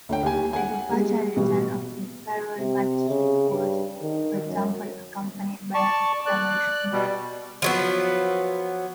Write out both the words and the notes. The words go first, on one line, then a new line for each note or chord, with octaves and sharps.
The departure and return of imperial magistrates was, for example, accompanied by acclamation.
D2 C#5 G5
D#2 G4 G#5
F#5 G#5
G3 G#3
A1 B2 G3
C3
C#3
G2
D#3
F#2
D5 A5 C#6
D5 F#6
B2 G3
F3 F#3 B3